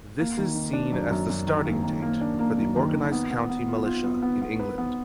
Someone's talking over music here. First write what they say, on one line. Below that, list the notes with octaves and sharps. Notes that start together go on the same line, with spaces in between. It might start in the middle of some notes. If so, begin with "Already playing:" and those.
This is seen as the starting date for the organised county militia in England.
A#3
D#3
D#3
D4
F#2
F#2
F#2
D#3
A#3
D#3
A#3
D4
A#3
F#2
D#3
D#3
B3
B3
B3
F4
F4
B3
B3
B3
B4
B3